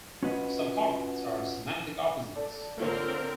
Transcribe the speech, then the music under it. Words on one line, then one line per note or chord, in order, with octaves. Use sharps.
Some cognates are semantic opposites.
C#4 F4 F#4 B4 D#5
A4 D5
D3 A#3 C4 F4 A#4 C#5